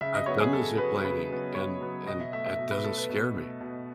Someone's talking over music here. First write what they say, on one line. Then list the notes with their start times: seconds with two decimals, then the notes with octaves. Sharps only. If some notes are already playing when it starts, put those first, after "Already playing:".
I've done the ziplining, and and that doesn't scare me.
0.01 C#3 E5
0.15 D#5
0.26 F#3 B3 C#5
0.40 G#4
0.53 C#3 A4
0.78 F#3 B3 B4
1.04 C#3 B4
1.30 F#3 B3
1.55 C#3 C#5
1.81 F#3 B3
2.06 B2 D#5
2.20 E5
2.32 A3 E5
2.46 E5
2.59 B2
2.71 B4
2.84 A3 A4
2.97 B4
3.09 B2
3.35 A3
3.61 B2